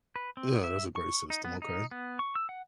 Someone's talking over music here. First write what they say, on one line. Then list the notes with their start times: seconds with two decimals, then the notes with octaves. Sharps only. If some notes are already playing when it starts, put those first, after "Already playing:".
Yeah, that's a great system, okay.
0.16 B4
0.37 C4
0.64 E5
0.96 C#6
1.30 D#4
1.45 B3
1.62 D#4
1.91 B3
2.19 C#6
2.35 E6
2.49 F#5